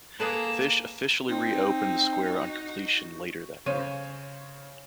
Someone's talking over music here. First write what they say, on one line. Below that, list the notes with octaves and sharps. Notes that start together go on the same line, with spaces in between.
Fish officially reopened the square on completion later that year.
A#3 G#4 A4 B4 D5 E7
C4 D#4
F#4
C#3 C5 C#5 D#7